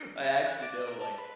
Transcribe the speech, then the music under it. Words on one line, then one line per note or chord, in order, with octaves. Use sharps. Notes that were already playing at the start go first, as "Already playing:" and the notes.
I actually know, like,
E4
F#6
D5
A#4
A5
B4